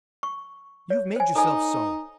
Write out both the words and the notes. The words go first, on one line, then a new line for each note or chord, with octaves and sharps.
You've made yourself so.
C#6
C#5
C5 G#5
D#4 A4 G#5